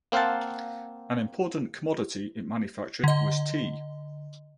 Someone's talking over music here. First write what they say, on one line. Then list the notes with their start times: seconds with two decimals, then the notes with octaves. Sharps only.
An important commodity it manufactured was tea.
0.12 A#3 C4 C5 F5 F#5 A5
3.04 D3 D#5